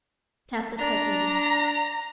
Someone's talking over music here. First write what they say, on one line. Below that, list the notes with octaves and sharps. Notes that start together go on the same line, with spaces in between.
Chapter XIII.
D4 A#5